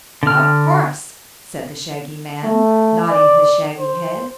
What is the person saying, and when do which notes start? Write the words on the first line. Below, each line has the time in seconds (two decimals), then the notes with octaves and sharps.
"Of course," said the Shaggy Man, nodding his shaggy head.
0.23 D3 F6
2.43 A3
3.10 D5
3.79 C5